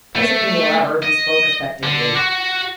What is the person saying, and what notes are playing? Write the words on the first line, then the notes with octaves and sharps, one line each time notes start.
Presently, however, he spoke effectively.
A3
D#5
D3
F#4